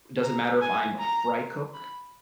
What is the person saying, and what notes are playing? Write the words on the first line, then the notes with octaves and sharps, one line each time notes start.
it doesn't matter if I'm a fry cook
A#5
G#5
A#5
B5